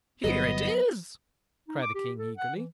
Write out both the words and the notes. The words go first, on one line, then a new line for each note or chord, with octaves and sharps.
"Here it is," cried the King eagerly.
G1 F#3 B3 D#5
D#4
D6
G4
A4
F#5
E3